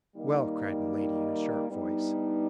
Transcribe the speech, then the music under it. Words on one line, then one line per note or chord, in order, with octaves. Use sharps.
"Well," cried Milady, in a sharp voice.
D#3 G3 A#3 D#4
G2 G3 B3 D#4